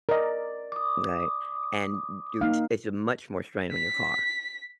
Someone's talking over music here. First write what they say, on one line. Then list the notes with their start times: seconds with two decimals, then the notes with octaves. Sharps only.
okay, and n do it's a much more strain on your car,
0.09 A#4 D5 D#5
0.72 D6 D#6
2.41 A#3 D#4 F5
3.72 B6